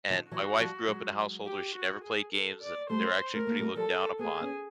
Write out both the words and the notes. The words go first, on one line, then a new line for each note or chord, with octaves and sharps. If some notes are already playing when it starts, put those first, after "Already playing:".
And, my wife grew up in a household where she never played games and they're, actually, pretty looked down upon.
D#3 F3
E3 F#3 F#4
F3 G3
F#3 G#3
G4
F#4
G#4
A4
D5
G3 A3 C5
A3 A#4
A#3
G3 A3
F3 G3 A4
A3 B3 G#4
B3 C#4